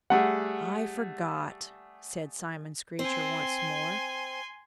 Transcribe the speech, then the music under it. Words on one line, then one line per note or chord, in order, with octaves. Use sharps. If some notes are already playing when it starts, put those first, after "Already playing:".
"I forgot," said Simon Screecher once more.
G3 A3 G#4 F#5
C4 G#5 C6